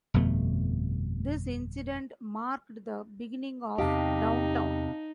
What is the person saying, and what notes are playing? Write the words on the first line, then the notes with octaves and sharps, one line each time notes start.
This incident marked the beginning of Downtown.
G1 F2 B2 A3
E2 C3 D#4 G4 D#5 F5 A5